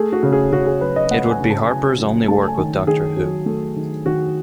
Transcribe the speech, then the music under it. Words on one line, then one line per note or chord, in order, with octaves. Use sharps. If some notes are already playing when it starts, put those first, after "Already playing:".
It would be Harper's only work with "Doctor Who".
Already playing: A3 G#4
F#4
C#3
G#4
C#3 F#4
G#4
F#3 B4
D#5
A3 F#5
G#5
C#3
A5
C#3 G#5
F#3
A3 A5
G#5
D#3
D#3 G#4
F#3
A3
D#3
D#3 F#4